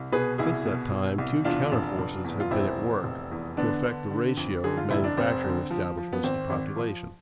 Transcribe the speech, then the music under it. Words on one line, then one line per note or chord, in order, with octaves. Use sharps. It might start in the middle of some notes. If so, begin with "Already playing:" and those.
Since that time two counter forces have been at work to affect the ratio of manufacturing establishments to population.
Already playing: C2
B2 G#4 B4
C2 E4 G#4
B2
B2
C2
E2 D4 F4
F1
F1
E2
F4
F1 C4 E4
E2
F1
E2
D3 B3 D4
D3
D3
F2
D3 G#4
F4
F1 E4
D4
F1 C4
D3
F3
F3
B3
G#1 C4
G#1
F3